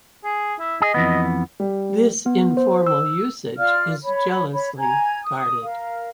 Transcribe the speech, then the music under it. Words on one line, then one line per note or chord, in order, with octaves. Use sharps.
This informal usage is jealously guarded.
G#4
E4
G#4 D#5
F2 E3 B3
G3
B3
C5
E6
F4 D5 F5 F6
C#5 B5
C#5 B5
G#5 A#5 G#6
D#6
A#4 F5